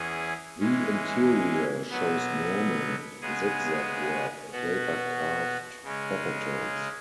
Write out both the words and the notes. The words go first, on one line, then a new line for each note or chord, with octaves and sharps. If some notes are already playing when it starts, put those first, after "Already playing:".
The interior shows Norman zig-zag work and later carved capitals.
Already playing: E2 E3 C#4 G#4
E3 G#3 C#4
B2 F#3 B3
C#3 G#3 B3 G#4
B2 B3 F#4
C#3 G#3 C#4